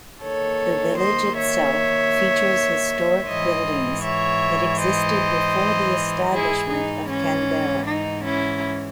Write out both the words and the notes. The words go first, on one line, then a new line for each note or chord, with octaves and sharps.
The village itself features historic buildings that existed before the establishment of Canberra.
D#2 D#3 A4 C#5
C5 D#5
C#5 E5
G#2 E3 C5 D#5
C#5 E5
C5 D#5
G#2 E3 E4 G#4
D#4
C#4
D#4
C#4 E4